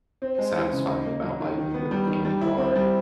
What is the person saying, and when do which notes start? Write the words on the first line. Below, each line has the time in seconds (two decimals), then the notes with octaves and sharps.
satisfying about biting into a candy bar,
0.22 C4
0.38 G#3
0.56 E3
0.73 C#3
0.89 D#4
1.06 A#3
1.23 F#3
1.40 D#3
1.58 D#3
1.74 B3
1.91 G3
2.07 D#3
2.25 G3
2.41 E4
2.58 C4
2.76 G3